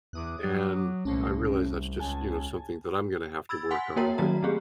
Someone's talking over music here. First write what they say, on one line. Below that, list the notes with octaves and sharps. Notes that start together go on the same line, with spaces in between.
And I realize that's just, you know, something that I'm going to have to work on, but,
E2 D6 D#6 F#6
F#3
C2 A#2 A3 C#4
C#2 G#5 A5
B5 E6 G#6 A6
F#5 G#5 C6 B6
A#3 F#4 A#4 C#5 G5 A#5
D#3 F#3 A#3 F#4 A#5
A3 C4 G4 G#4